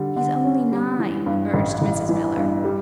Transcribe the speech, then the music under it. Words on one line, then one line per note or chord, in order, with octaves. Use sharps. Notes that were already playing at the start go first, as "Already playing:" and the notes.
"He's only nine," urged Mrs. Miller.
Already playing: D3 G3
D3
C#4
G3
E3
G2
A1
A1
E3
G2
G3